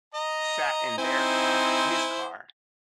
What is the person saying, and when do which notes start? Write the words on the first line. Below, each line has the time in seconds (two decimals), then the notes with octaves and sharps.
sat in their car his car,
0.14 D#5 A#5
0.98 C4 D#4 E4 C5 G#5